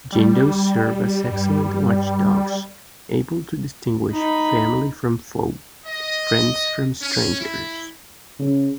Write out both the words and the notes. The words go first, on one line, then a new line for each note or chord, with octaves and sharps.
Jindos serve as excellent watchdogs, able to distinguish family from foe, friends from strangers.
G3
G2
D#4 B5
D#5
C#4
E4
C#3